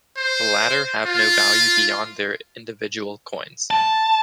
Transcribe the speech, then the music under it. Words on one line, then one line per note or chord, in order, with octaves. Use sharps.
The latter have no value beyond their individual coins.
C5
F4
A5